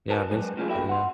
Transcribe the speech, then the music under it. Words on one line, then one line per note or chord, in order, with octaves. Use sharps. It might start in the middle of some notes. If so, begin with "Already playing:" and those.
Yeah, basically, yeah.
F#4 A#4 B4 G#5 A5
F#3 G#3 B4
A2 C#3 F4 G4 G#4
A#3 E4 F#4 A4 E5 G5
F#5 C6